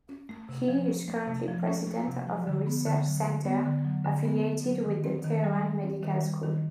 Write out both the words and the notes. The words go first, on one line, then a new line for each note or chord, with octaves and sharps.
He is currently president of a research center affiliated with the Tehran medical school.
C#4
A3
C3
F3
C#4
A3
C3
F3
C#4
A3
C3
F3
D3
B3
D3
F#3
D3
B3
D3
F#3
D3
B3
D3
F#3
D#3
C4
D#3
G3
D#3
C4
D#3
G3
D#3